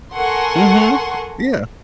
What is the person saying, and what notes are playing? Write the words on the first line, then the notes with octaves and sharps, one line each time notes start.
Mhm, yeah.
A4 A#4 F#5 G#5 C6 C#6